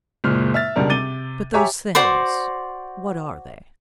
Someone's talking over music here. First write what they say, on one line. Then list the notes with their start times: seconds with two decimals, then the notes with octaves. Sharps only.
"But those things--what are they?"
0.24 F#1 A#2 G#3 F6
0.54 E5 F6 A6
0.76 C#2 B2 G3 D4 A#4
0.89 C3 D6 A6 D#7 G7
1.54 G4 C#5 E5 G#5 A#5 D6
1.95 F#4 C5 D5 C6